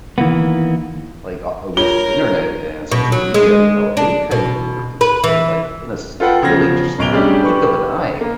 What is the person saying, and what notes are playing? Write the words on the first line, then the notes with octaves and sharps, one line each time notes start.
like o with Internet and social media, you know, any kind of rumor can spread, like, in a s really just a blink of an eye.
D#3 E3 A#3 B3
F4 A#4 C#5 G7
B2
F#3
G#3
D4
B2
B4
E3
F4 A4 B4 F#5 G5
E2 C#3 F3 G#6 A#6
D1 B1 D7 F7 G7
G3 A3 C#4 D4 G4 G#4
G4 B4 C#6
A#3